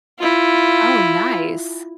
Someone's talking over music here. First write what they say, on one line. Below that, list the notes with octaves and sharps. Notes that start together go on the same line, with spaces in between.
Oh, nice.
E4 F4